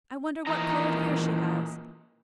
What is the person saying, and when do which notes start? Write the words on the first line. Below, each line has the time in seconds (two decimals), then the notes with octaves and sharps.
I wonder what coloured hair she has.
0.47 A#2 D#3 E3 D#5 A#5